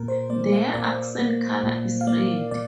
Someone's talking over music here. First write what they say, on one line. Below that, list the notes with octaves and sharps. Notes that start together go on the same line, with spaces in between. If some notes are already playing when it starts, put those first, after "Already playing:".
Their accent colour is red.
Already playing: A#2 A#4
C5
A#3 D5
F5
A#2 D5
A#3
A#2
F5
A#3 D5
A#2 D5